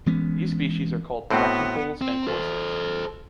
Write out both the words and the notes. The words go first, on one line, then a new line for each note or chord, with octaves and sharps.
These species are called pratincoles and coursers.
E3 G#3 B3 C#4
A2 B3 C4 F#4
C4
A4 C5